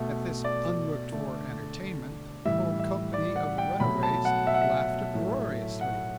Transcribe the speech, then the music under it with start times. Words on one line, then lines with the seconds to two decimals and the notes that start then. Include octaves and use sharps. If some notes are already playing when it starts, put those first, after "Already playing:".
At this unlooked-for entertainment, the whole company of runaways laughed uproariously.
Already playing: B2 A3
0.44 D5
1.12 D3 A3
2.45 A2 E3 G3 E5
2.79 E5
3.14 D5
3.36 F#5
3.58 G5
3.80 B2 F#3 A3 B5
4.03 A5
4.25 F#5
4.47 E5
4.54 F#5
4.62 E5
5.14 A2 F#3 A3
5.81 F#5